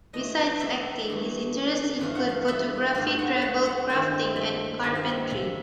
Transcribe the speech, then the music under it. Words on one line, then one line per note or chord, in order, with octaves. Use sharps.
Besides acting, his interests include photography, travel, crafting, and carpentry.
G2 E3 A3 D#5
E5
G2 E3 A3
G2 E3 A3 F5
F#5
F5
E5
G2 E3 A3 F5
F#5
F#5
F#5
G2 D#3 G#3 C4 E4 F5
E5
G2 D#3 G#3 C4 E4 E5
F5
E5
E5